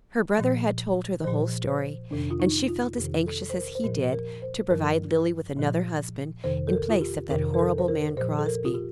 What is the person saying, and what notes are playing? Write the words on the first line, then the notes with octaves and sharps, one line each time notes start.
Her brother had told her the whole story, and she felt as anxious as he did to provide Lily with another husband in place of that horrible man Crosbie.
A#2 F3
A#2 F3 C5
C5
F2 C3 D#3 D4
F4
D#4
F4
F2 C3 D#3 G4
A4
C5
A#4
C5
A#2 F3 A#4
A#4
C5
G2 F3 A#4
A#2 F3
F2 C3 D#3 C5
A4
A#4
F4
G4
F2 C3 D#3 A#4
A#4
A4
C5
A#4
A#2 F3 C5
A4
A#4
F4
G4